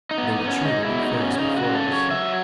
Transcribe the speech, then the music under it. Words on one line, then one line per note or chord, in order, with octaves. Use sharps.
They retreated, at first, before us.
D#4
B3
D#4
B3
C#4
G#3 D#4
B2 E4
D#4
B2
C#4
C#3 D#4
F#4
C#3
A4
F#3
C#5
F#3 E5